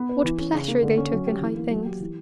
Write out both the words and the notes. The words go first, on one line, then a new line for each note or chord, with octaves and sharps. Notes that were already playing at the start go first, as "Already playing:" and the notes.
What pleasure they took in high things!
Already playing: B3
B4
E3
C#4
C#3
A#3
D3
C#4
F#3
G4
E3
A#3
F#3
G4
E3